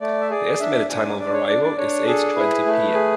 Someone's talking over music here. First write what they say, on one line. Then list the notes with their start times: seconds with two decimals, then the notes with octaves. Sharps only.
The estimated time of arrival is eight twenty pm.
0.01 A3 D5
0.21 E5
0.30 G#4 D5
0.60 D4 E5
0.90 D4 G#5
1.19 D4 D5
1.33 C#5
1.47 D4 D5
1.63 D5
1.77 D4 C#5
2.07 G#4 A4
2.36 E4 B4
2.66 A3
2.94 G#4